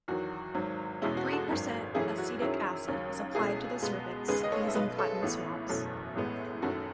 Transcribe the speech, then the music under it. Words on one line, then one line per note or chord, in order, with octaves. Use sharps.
Three percent acetic acid is applied to the cervix using cotton swabs.
E2 D#3 F#3 F#4
G#1 G#2 F#3
E2 B2 G#3 C#4 E4
F#4
F#4 A4
G#1 F#2 D#3
F#2 E3 A3 C#4 E4 G#4
F#4
F#2 D#3 F#3 C#4 E4 G#4
D#2 C#3 F#3 C#4
C#2 B2 A3 C#4 E4 G#4
C#2 B2 G#3 B3
D#2 C#3 G#3 G#4 B4
D#5
A4 C#5
E5
B1 B2 G#3 B4 D#5
A4 C#5
A1 A2 E3 B3
F#1 E2 B2 A3 C#4
A1 A2 G#3 B3
F#1 F#2 D#3 A3 F#4 A4